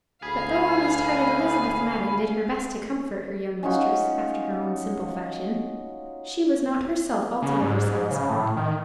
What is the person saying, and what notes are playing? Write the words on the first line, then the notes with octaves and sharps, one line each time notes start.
But though honest-hearted Elizabeth Madden did her best to comfort her young mistress after her own simple fashion, she was not herself altogether satisfied.
D2 G#4 F5 B5
C#4 D#4 F4 F#4
C#3
G#2
G#2
C#3
A2
D#3